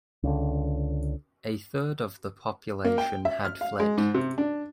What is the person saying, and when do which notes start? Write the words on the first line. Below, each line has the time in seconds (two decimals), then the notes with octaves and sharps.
A third of the population had fled.
0.23 C#2 D3
2.85 A#3
2.98 G5
3.25 E5
3.45 F6
3.61 F5
3.80 G#3
3.97 G#2
4.14 C3
4.38 D4